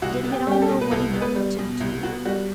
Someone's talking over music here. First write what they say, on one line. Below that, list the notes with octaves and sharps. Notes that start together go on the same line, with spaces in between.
Did he at all know what he wanted to do?
C2 F#4
B3
G4
G3 G4
A4
B2
B4
C2 A4
B3
B4
G3
B2
C2
B3 F#4
G3 F#4